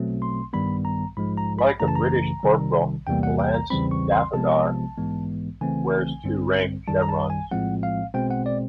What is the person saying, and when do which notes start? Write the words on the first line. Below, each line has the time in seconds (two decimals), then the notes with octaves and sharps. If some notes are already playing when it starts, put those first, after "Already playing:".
Like a British corporal, a lance daffadar wears two rank chevrons.
Already playing: B2 F#3 A3 C4
0.22 C6
0.53 G2 D#3 G3 B3 B5
0.85 A#5
1.17 G#2 F3 G#3 B5
1.37 A#5
1.59 B5
1.80 F#2 C#3 E3 A3 A#5
1.88 A5
1.96 A#5
2.43 C3 D#3 G3
3.07 E2 C3 E3 G3 A#3 G5
3.23 F#5
3.39 G5
3.54 A#5
3.70 E2 C#3 E3 G3 C4 B5
3.91 C#6
4.12 C6
4.33 C3 F3 G#3 B3 A5
4.98 G#2 E3 G#3 B3
5.61 C#3 E3 A3 C4 G#5
6.24 G2 D3 G3 C4
6.88 F#2 D#3 G3 A5
7.02 A#5
7.09 A5
7.30 G#5
7.51 A2 F3 G#3 C4 F#5
7.83 F5
8.14 B2 G#3 C4 G5
8.31 F#5
8.46 D5